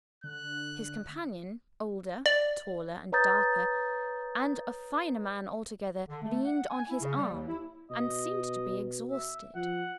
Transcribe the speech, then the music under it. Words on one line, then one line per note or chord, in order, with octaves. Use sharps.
His companion, older, taller, and darker--and a finer man altogether--leaned on his arm and seemed to be exhausted.
D3 F#6
D5
B4 C#5 A#5 D#6 G6 A6
D3
A3
F#5
G#5
E4
C#3
G3
D#2
E4
B2 D#5
E5
F3 F#5